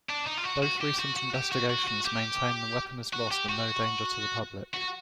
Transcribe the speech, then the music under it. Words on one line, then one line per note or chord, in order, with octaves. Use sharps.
Both recent investigations maintain the weapon is lost and no danger to the public.
D4
D#4
F4
F#4
F#4
G4
F#4
F#4
G4
F#4
F#4
F#4
G4
F#4
G4
F#4
F#4